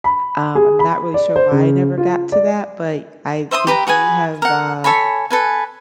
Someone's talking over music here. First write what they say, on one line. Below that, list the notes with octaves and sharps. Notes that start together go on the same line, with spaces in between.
Um, I'm not really sure why I never got to that, but I think you have, uh,
B5
G#4
B5
D5
C5
C#3
F4
D5
C5 E5 C6 D#6
G4 B4 G5 A#5
F#4 G#4 B4 G#5
A#4 F#5
A4 C#5 G#5 B5
A4 B4 G#5